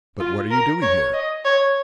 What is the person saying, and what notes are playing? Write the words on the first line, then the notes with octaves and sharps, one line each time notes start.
"But what are you doing here?"
F4
A#4
C#5
D#5
C#5